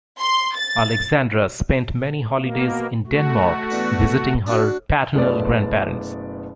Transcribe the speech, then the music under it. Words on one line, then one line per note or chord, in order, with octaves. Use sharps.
Alexandra spent many holidays in Denmark visiting her paternal grandparents.
C6
A6
B2 A#3
A3 F#4
E2 D4 B4
D4 F#4
F#1 B2 A3 B3 C#4 D5